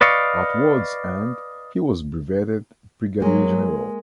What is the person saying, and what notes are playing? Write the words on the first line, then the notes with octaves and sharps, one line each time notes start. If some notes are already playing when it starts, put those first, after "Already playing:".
At war's end he was brevetted Brigadier General.
B4 D5 D#5 F5 C#6
F#3 G#3 A#3